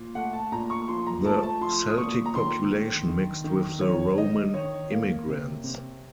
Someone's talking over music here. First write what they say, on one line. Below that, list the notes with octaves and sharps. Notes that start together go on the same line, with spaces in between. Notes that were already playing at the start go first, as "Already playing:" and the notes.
The Celtic population mixed with the Roman immigrants.
Already playing: A#2
A3 F#5
A5
A#2 A#5
C#6
F3 C6
A#5
A3 A5
A5
F3 C6
D#6
A#2 C#6
A#5
D#3 C6
D#3
D#3
D#3
D#3 C#5
D#4 D#5
D#3 C#5
A#3
C3
C3